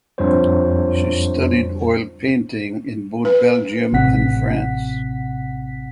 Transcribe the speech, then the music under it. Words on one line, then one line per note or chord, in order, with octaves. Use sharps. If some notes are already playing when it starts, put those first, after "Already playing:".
She studied oil painting in both Belgium and France.
F2 G3 D4 F4 C5 C#5
B4
A1 C3 F#5 B6